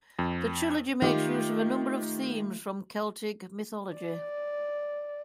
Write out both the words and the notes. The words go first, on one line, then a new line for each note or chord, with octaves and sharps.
The trilogy makes use of a number of themes from Celtic mythology.
F2
D#3 A3 D#4 F4 G4
D5